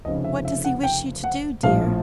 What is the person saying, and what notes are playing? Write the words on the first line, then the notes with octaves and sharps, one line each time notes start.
'What does he wish you to do, dear?'
F1 F2 C#3 D#5
E5
E5
F#5
G5
F#5
A#1 A2 F3 F5